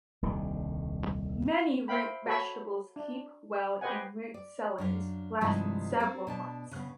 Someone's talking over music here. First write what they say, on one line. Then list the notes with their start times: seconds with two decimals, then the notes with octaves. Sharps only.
Many root vegetables keep well in root cellars, lasting several months.
0.22 D#1 C2 D3 D#3
1.88 C5 E5 F5 G5 B5
2.26 F#4 A4 C#5 B5 C#6 E6
2.96 D4
3.81 G4 B4 C5 D#5 F#5 G#5
4.34 D5
4.78 F#2 D4 F5
5.41 G2 C3 D#3 F3 G#3 E4
6.00 C4 A4 A#4
6.27 B2 D4 A5
6.71 C#3 B3